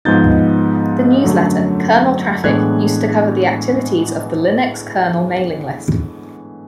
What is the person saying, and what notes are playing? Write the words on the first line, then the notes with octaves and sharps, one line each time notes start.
The newsletter "Kernel Traffic" used to cover the activities of the Linux-kernel mailing list.
G#2 F3 G#3 B3 D#4 G6 A6
F#2 D3 F#3 A3
A2 E3 G#3 B3 D4 F#6 G#6